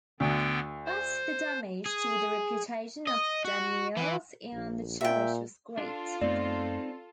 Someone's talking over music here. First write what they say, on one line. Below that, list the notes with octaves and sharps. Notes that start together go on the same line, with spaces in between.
But the damage to the reputation of Danneels and the Church was great.
D2 D3 B3 G5
C5
G#4
D#5
F#4
E3
A#1
A#2 E5 G5
D4 F4 A4
F#2 A3 B3 C4 D#4 D5